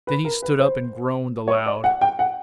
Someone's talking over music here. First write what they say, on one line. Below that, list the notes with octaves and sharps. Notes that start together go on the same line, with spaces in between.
Then he stood up and groaned aloud.
B4
A#4
B4
C5
C#5
D5
F#5
G5
F#5